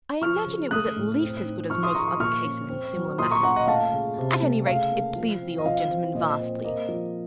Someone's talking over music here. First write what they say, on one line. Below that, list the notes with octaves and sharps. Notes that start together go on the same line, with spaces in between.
I imagine it was at least as good as most other cases in similar matters: at any rate, it pleased the old gentleman vastly.
F3 C#6 F6
C#3
A3 D#6 F#6
A2
C4
D#4
F3 C#6 F6
C6 D#6
F3 A#5 C#6
C6 D#6
A#2 C#6 F6
C#4
C4
F#3
A#2 C6 D#6
A#5 C#6
C#4 F#5 A#5
D#5 F#5
A3 F5 A5
C#3
C3
A3
C#3 F5
A#3
F3
C4
D#5
F3 F5
C4
A#2 D#5
C4
A#3 D#5
F3